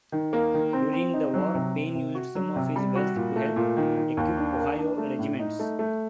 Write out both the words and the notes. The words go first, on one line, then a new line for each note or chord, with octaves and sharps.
During the war, Payne used some of his wealth to help equip Ohio regiments.
D#3
A#3
D#3
C4
C4
D#4
F#3
C3
C4
C3
F#4
F#3
C3
G3
F#4
A#2
A3
A#2
D#3
D#3
D#2
D4
A#3
D4
A3
A2
D#4
A3
A3